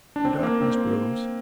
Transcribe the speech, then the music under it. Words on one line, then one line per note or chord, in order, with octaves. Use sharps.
The darkness grows.
D4
C4
A#3
C4